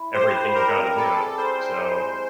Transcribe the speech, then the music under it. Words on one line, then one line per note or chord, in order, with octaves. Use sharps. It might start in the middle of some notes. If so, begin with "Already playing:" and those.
everything you gotta do, so
Already playing: E4
G4 C5
B4
G3 A#4
C4
G3 A4
G#4
A#4 C5
A#4
A#4
G#3